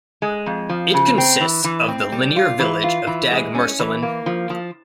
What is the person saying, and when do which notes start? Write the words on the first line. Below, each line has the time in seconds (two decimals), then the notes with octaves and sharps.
It consists of the linear village of Dagmersellen.
0.22 G#3
0.46 F2
0.69 F3
0.94 C#3
1.18 C4
1.41 E3
1.64 E3
1.88 C4
2.12 G3
2.36 F4
2.60 E3
2.84 F4
3.07 E3
3.31 G#3
3.55 C#4
3.79 E3
4.02 A#3
4.26 F3
4.50 F3